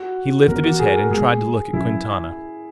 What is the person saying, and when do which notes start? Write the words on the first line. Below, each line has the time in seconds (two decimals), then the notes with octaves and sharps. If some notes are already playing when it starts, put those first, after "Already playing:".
He lifted his head and tried to look at Quintana.
Already playing: F#4
0.48 E3 B3 A#4
0.64 F#4
0.79 G#4
0.96 A#4
1.10 A#2 G#3 B3 G#4
1.73 B2 F#3 C#4 E4